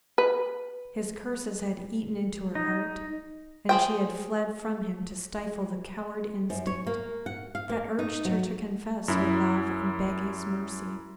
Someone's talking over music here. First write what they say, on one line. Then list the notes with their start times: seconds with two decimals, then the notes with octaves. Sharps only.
His curses had eaten into her heart, and she had fled from him to stifle the coward instinct that urged her to confess her love and beg his mercy.
0.18 B4
2.55 D#4
3.69 G#4 C5 G5
6.50 F#2
6.67 C#5
6.87 A#3
7.26 F#5
7.55 F5
7.69 A#3
7.99 D#4
8.25 F#3
9.08 F#2 E4